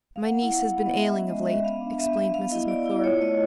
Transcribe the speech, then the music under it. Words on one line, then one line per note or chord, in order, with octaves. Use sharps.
"My niece has been ailing of late," explained Mrs. McClure.
F5
B3 F#5
E4
F#5
E4 F5
B3
D#5
G#3 E5
C#4
G#3 D#5
G#3 E5
B3 F5
D4
F5
B3 E5
B3 E5
B3 F5
E4 D#5
E4 D5
E4
F4 C#5
A3 D#5